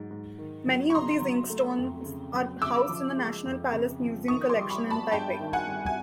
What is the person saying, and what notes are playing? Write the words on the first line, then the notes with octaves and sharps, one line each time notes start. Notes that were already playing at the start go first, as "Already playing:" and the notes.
Many of these inkstones are housed in the National Palace Museum collection in Taipei.
Already playing: G#2 F#3
G#2
D#3
F#3
C#6
C#3 A#5 C6
F#3
A3
F2
C#3
F#3
C#3 D6 E6
F3
G#3
F2
C#3
F3
D#3 C#6 D#6
C6 D6
G3
B5 C#6
B3
A5 B5
G2 G5 A5
D#3
F#5 G#5
G3
G#5